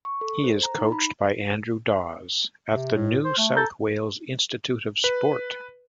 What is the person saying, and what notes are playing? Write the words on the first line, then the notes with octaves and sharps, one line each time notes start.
He is coached by Andrew Dawes at the New South Wales Institute of Sport.
C#6
A4
C5
A#5
D#4
B5
C3
A2
C5
A3
A4 A#5 G6 A6
B4